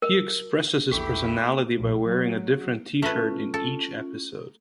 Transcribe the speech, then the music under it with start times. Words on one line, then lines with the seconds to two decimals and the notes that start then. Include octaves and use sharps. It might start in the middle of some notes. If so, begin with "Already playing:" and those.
He expresses his personality by wearing a different T-shirt in each episode.
0.02 A#4
0.91 A#1 E2 E4 G4 A4 C#6 B6
1.77 A#1
2.07 F#3
3.02 A3 C#4 F4 B4
3.54 A4